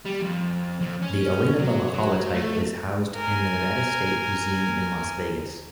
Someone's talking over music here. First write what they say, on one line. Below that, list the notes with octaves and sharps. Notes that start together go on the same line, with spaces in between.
The "Elainabella" holotype is housed in the Nevada State Museum in Las Vegas.
G3
F2
F2
C#4
F#3
F#3
A3
A#4 G#5